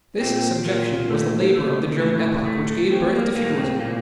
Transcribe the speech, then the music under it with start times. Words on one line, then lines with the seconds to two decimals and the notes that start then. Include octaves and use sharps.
This subjection was the labor of the German epoch which gave birth to feudalism.
0.20 A#2 C4
0.65 A#2 A#3
1.10 A3
1.55 A3
2.00 A2
2.45 A3
2.91 F#3 C4
3.13 A#3
3.35 A2 A#3
3.58 C4
3.80 A#2 A#3